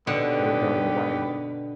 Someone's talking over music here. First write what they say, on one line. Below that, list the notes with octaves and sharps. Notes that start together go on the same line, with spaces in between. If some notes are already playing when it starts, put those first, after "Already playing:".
They were going away.
D#2 B2 D3 B3 G4 F#5